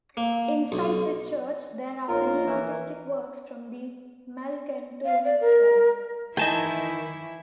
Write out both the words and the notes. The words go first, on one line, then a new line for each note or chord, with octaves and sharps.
Inside the church there are many artistic works from the Malcantone valley.
A#3
B1
A#1 D#4 F4 A#4 C#5
E3
F5
D5
A#4
D#3 E3 E4 D#5 G#5 A5 G6